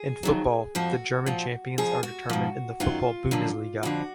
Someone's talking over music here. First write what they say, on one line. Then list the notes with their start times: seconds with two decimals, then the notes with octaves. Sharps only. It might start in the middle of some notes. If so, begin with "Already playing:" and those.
In football, the German champions are determined in the football Bundesliga.
Already playing: G#4
0.23 F2 D#3 F#3
0.75 F2 F3 F#4
1.26 A#2 F3
1.78 F2 F3 G#4
2.03 F#4
2.30 G#2 F3
2.80 F#2 D#3 F#3 F4
3.31 F#2 D3 F3
3.83 F2 D3 F3 F#4